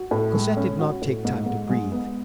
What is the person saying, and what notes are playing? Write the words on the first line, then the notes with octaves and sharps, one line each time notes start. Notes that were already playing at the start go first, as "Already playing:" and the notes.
Cosette did not take time to breathe.
Already playing: F#4
A2
G#3
C#4
F#4
A2
G#2
G#2
G#3
B3